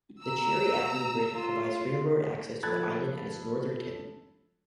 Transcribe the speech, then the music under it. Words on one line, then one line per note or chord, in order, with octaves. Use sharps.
The Cherry Avenue Bridge provides railroad access to the island at its northern tip.
A#5 E6
F4
F3 A4 B5 F#6 G#6 A6